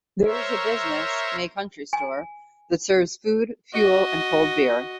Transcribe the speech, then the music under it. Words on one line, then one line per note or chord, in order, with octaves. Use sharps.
There is a business May Country Store that serves food fuel and cold beer.
A#4 C5 C#5 E5
G#5
F#4 D#5